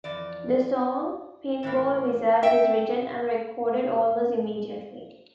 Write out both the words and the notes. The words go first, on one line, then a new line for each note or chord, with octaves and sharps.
The song "Pinball Wizard" was written and recorded almost immediately.
F2 E3 D5
A2 E3 A#3
E5 G5